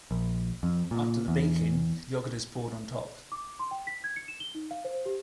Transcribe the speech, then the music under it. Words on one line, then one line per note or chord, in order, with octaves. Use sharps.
After the baking yogurt is poured on top.
A#1
F2
A#2
E2
D6
C6
G5
B6
G#6
C#7
E7
G7
D#4
F5
C5
G4